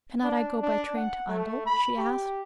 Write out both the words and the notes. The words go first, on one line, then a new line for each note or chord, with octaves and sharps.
"Cannot I go by train to Oundle?" she asked.
D4
D4
F#5
A3
B5
G4